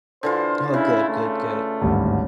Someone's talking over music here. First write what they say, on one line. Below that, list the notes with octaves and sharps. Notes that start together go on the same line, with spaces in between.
Oh, good, good, good.
D3 E3 F4 C5
C#3 E4
A3
G#1 D2 G2